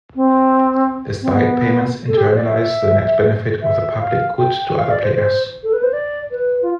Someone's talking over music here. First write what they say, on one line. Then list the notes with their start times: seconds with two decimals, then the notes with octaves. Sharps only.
The side payments internalize the net benefit of the public good to other players.
0.16 C4
1.22 C4
1.31 B3
2.08 A4
2.17 G4
2.28 C5
2.37 D5
2.47 E5
3.62 E5
4.00 F5
4.38 G5
4.78 F5
4.90 D5
5.03 C5
5.16 C5
5.63 A4
5.73 B4
5.83 C5
5.93 D5
6.31 B4
6.62 F4